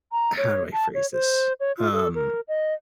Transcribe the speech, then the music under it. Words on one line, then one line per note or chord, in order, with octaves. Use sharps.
How do I phrase this? Um,
A#5
C#5
A5
C#5
C5
C#5
F4
A4
A#4
D#5